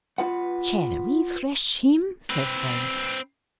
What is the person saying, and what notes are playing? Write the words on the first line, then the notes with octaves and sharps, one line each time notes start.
"Shall we thrash him?" said they.
F4 B4 F#5
C4 B4